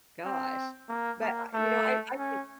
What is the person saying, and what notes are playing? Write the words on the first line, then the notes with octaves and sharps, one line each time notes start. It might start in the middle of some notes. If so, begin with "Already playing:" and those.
gosh, but I you know, I I think
C4
A#3
A#3
A3
C#4